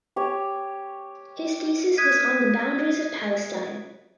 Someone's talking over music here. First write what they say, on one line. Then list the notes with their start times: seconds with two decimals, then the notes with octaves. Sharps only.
His thesis was on the boundaries of Palestine.
0.16 G4 C#5
1.98 D#6 F#6 G#6 B6 D#7